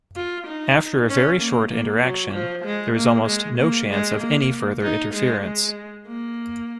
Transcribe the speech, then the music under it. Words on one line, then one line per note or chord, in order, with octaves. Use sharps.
After a very short interaction, there is almost no chance of any further interference.
F4
D#4
C#4
A#3
A#3
F#3
F3
G#3
A#3
G#3
A#3
G#3
A#3
D#4
G#3
G#3
A#3